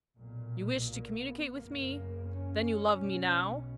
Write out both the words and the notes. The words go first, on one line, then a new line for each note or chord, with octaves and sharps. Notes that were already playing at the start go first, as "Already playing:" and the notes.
"You wish to communicate with me;--then you love me now?"
B1 A#2
A#3
B3
F#1 F#2 C#3 A#3
C#4
B1 B2